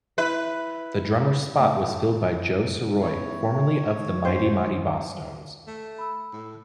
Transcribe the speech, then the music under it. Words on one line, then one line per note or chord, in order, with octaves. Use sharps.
The drummer's spot was filled by Joe Sirois, formerly of The Mighty Mighty Bosstones.
E4 B4
A2
B3 C#4 E4 C#5
D#2 C#4 D#4 C5
A3
B5 E6
A2